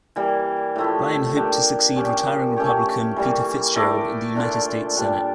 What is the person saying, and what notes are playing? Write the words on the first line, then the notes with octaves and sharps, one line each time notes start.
Ryan hoped to succeed retiring Republican Peter Fitzgerald in the United States Senate.
E3 G3 A#3
A2 F3 A3 E4
A#3 D4 G4
A#2 F3 C#4 G4
A3 C#4 G4 C#5
E3 G3 A#3
A3 E4 A#4 D5
A#2 A3 D4 F4
A#2 G3 D4